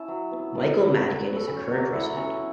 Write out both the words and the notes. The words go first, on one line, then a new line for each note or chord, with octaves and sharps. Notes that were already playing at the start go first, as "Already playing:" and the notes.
Michael Madigan is a Current resident.
Already playing: C#4 E4 A5
F#3
B3
B3 A5
F#5
F#3
F#5
F#3 F#5
B4
F#3 B4
A4
C#4 B4
C#5
F#3
D5
E4 F#5
C#4